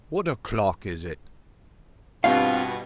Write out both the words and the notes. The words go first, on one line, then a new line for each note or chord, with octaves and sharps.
"What o'clock is it?"
G2 B2 C4 F4 F5